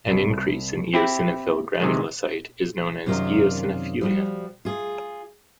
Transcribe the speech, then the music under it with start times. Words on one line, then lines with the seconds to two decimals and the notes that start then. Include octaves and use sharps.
An increase in eosinophil granulocyte is known as eosinophilia.
0.10 C2
0.93 C4 E4 G4
1.80 C3 D#3 G#3
3.06 F#2 C3 D#3 F4 A#4 D5
4.01 F3 G3 F#4
4.65 F4 G#4